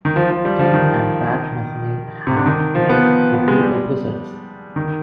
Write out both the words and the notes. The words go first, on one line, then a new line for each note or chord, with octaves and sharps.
King and Pat Metheny have made repeated visits.
D#3
F3
F3
G3
F3
D#3
C3
D3
D#3
F3
B3
B3
G#3
G3
D#3